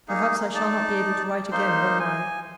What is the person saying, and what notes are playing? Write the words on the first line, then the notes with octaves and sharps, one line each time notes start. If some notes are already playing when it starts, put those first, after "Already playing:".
Perhaps I shall not be able to write again one while.
A#3 D#4 G#4
D#4 D5 A5
A#3 D#4 C5 C6
G#5